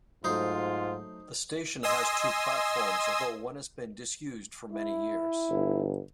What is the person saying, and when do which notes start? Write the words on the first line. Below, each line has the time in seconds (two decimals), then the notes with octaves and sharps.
The station has two platforms although one has been disused for many years.
0.24 G#2 F#3 A3 D#4 F4 C5
1.83 D#5 G#5 C6 D#6 E6
4.72 E4
5.50 G1